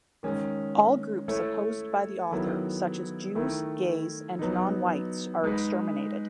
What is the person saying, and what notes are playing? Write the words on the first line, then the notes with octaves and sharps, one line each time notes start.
All groups opposed by the author, such as Jews, gays, and non-whites, are exterminated.
D#3 G#3 C#4
A3 E4 A4 C#5
D#3 F#3 B3 E4 A4
D#3 A3 E4
F#3 B3 D#4
G#3 D#4 G#4 B4